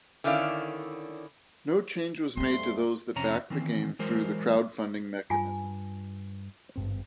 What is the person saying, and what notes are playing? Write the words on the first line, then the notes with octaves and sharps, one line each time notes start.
No change was made to those that backed the game through the crowdfunding mechanism.
D3 D#3 C#4 E4 D5 F5
F2 G3 A3 B3 C4 C6
F2 C3 C#4 A#5
D#3 E3 C4
E3 F#3 G#3 A#4 C5
G2 F4 G#5
G#1 G2 C4